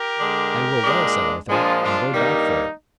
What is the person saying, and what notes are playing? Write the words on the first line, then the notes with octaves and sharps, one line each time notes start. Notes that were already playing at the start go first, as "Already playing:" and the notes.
"I will well," said Arthur, and rode back for it.
Already playing: G4 A#4
D3 G#3 D4
A#2 G#3 D4
A#2 F3 G#3 D4 F4 G#4
D4 F4
G2 D#3 G3 A#3 D#4